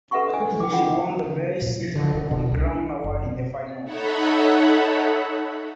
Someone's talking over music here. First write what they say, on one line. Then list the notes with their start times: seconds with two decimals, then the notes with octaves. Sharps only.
She won the "best on ground" award in the final.
0.11 A4 B4 E5 F#5 C6 C#6
0.33 D#5 G#5
0.60 G5 D6
0.73 F4 F#5
1.62 A#2
1.96 D3
2.13 E1
2.31 B2
2.52 C2
2.66 D4
3.04 F#1
3.26 B2
3.84 D#4 A4 C#5 E5 F#5 B5